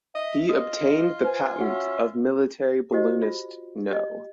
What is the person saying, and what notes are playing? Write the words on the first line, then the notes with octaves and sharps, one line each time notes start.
He obtained the patent of military balloonist no.
D#5 E5
F4 D#5 D#6
B4 C5 G#5
C#4 F#4 E5 F#5
F#4 G4 C5 D#5
F4
G4 D#5